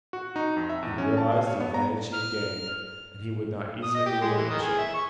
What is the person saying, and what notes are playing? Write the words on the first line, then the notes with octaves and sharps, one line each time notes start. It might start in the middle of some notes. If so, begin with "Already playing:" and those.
He realized the advantage he had gained, and he would not easily relinquish it.
F#4
D#4
F2
E5
E2
C#4
A5
F5
C#5
B3
A#5
F6
D#6
D#5
G4
G#3
E3
D#3
G#4
E5
C#6